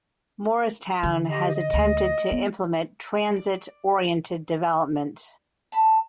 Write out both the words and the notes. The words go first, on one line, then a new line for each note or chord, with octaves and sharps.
Morristown has attempted to implement transit-oriented development.
D3
G4 D#5
D#5
D2
B3
D5
A5 B5